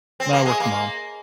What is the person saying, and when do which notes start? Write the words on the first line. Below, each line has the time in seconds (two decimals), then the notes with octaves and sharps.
No, I work from home.
0.20 C4
0.33 A#3
0.46 G#3
0.60 A#3